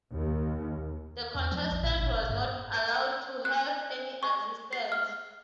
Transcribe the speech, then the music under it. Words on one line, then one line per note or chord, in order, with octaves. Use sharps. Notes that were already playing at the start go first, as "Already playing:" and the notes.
The contestant was not allowed to have any assistance.
D#2
E2
F3
A#1
A#2
G#1
F#1
G2
F#6
C#6
C7
F6